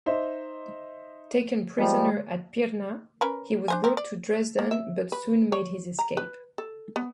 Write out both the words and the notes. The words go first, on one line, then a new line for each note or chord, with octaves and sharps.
Taken prisoner at Pirna, he was brought to Dresden, but soon made his escape.
D#4 C5 E5
F3 G3 G#3
C#4 A#4 B4
D4 C5 G#5
C4 A#4
D5
A#3
E5
B4
C#5
A#5
B4
A4
B3